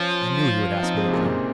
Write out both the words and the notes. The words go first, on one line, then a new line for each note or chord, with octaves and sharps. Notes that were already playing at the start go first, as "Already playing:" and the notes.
I knew he would ask me to come.
Already playing: F3 C#4 F4
C4 D#4
G#3 C4
C3
A#2 C#3
C3